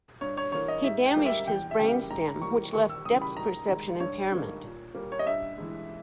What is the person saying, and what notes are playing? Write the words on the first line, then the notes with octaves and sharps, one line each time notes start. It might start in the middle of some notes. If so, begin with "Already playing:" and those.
He damaged his brain stem, which left depth perception impairment.
G2 C#5
C#5
E3 A#3 C#5
D#5
G#2 E5
G5
G3 A#3
E5
E2 G5
E5
C#3 G3 A#3 G5
G#2 A#5
E3 G3 A#3 C#6
D#2 C#6
E6
C#3 E3 G3 D#6
B5
G#2 A#5
D#3 G#3
G2 C#5
D#3 G3 A#3
A#2
G3 A#3
C#5
D#5
G2 E5
E3 G#3